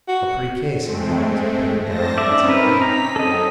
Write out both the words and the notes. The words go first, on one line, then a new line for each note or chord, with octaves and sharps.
"A pretty case," he remarked, putting it down on the table.
F#4
G#3 A3 C4
C5 A5 A#6
C4 C#4 D#4 D5 E5
A#4 B4
A#5 B6
F#2 F#3 C4 A4 D#5